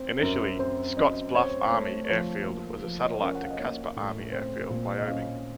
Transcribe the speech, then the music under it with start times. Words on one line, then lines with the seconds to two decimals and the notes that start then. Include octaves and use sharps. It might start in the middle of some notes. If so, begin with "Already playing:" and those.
Initially, Scottsbluff Army Airfield was a satellite to Casper Army Air Field, Wyoming.
Already playing: C4
0.22 F#2 A#4
0.59 C4 C5
0.97 F#2 D#5
1.35 C4 C#5
1.72 A3 C#5
2.05 C#5
2.08 F3 C5
2.46 A#3
2.83 F3
2.99 D#5
3.07 C#5
3.14 C5
3.21 C#4 A#4
3.35 F#5
3.43 F5
3.50 D#5
3.59 A#3 C#5
3.96 A2
4.32 C4
4.70 A#2
4.98 D#5
5.07 C#4 F5